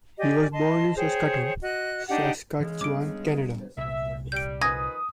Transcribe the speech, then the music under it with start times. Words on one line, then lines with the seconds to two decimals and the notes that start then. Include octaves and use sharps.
He was born in Saskatoon, Saskatchewan, Canada.
0.19 G4 D5 D#5 G#5
0.52 D#5 A5 C6
0.97 G#4 C5 C#5 G5
1.61 F#4 D#5 F#6
2.09 D4 D#4 G4 F#5
2.60 C#3 E3 G#3
2.81 G3 B3 D4 D6 D7
3.77 C2 A#2 E5
4.32 G3 G6 D7
4.61 D#3 F3 B4 G#5 D#6 G#6 A#6